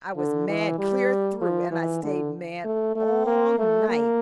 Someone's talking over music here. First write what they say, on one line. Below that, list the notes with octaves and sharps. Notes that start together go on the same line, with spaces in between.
I was mad clear through, and I stayed mad all night.
D3
E3
G3
F3
E3
D3
A3
A3
A#3
A3
A#3